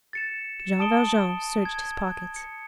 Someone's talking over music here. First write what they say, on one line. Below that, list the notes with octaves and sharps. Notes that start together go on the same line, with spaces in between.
Jean Valjean searched his pockets.
A6 C#7 E7
E7
A5 D#6 D7 G7
G#6
C#7